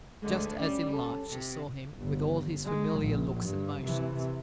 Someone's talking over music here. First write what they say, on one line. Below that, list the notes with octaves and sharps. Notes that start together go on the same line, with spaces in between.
Just as in life, she saw him, with all his familiar looks and motions.
D2 D3 G#3
G3 C#4 D5
A4
C3
G1
G#3
A#1
G2
C3 E3